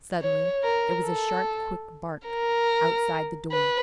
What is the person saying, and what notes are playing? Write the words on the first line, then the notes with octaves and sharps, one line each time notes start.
Suddenly there was a sharp, quick bark outside the door.
C#5
A#4
A4
A#4
B4